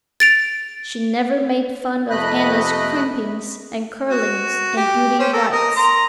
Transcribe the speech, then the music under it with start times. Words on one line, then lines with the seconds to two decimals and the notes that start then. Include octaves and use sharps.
She never made fun of Anna's crimpings and curlings and beauty-rites.
0.20 A6 D7 F7
2.10 F2 C3 A3 D#5 B5 F#6
4.09 F#4
4.77 G4
5.19 C#4 C5
5.33 A4 A#4
5.52 A#4 D#5
5.76 A#5 C6